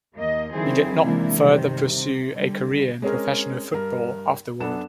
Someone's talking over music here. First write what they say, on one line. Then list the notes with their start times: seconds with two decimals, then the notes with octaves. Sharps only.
He did not further pursue a career in professional football afterward.
0.17 D#2 A#3 D#5
0.53 D3 D#3 F#3 C4 E4 G#4
1.02 C3 E3 G#3 A#3 D4 E4
1.38 G2 C3 D#3
1.88 C3
2.36 D3 G3
3.02 G#3 C4 C#4 G#4 A#4
3.73 G2 A#4
4.60 F#2 B3 D4 A4 E7